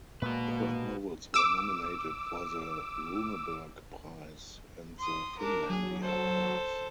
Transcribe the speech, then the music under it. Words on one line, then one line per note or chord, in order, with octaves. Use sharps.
Her novels were nominated for the Runeberg Prize and the Finlandia Prize.
A#2 G#3 A#3 F#4 B4
D6 E6
C6 D#6
D4 A#4
F#3 G#4
A4 C5